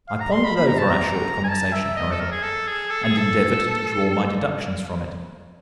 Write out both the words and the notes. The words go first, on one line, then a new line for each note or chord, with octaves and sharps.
I pondered over our short conversation, however, and endeavoured to draw my deductions from it.
F5
A#5
C6
B5
B5
A#5
A5
A#5
G#5
A5
E5
D#5
A4
A#4
G#4
A4
G#4
A4
G#4
A4